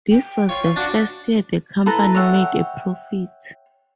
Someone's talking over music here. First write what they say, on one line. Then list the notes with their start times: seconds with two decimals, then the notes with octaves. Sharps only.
This was the first year the company made a profit.
0.11 G5
0.49 F4 C#5
0.63 F5
0.76 D4 F#4
1.86 E4 A4 B4 A#5
2.15 C#5 E5 F#5 G5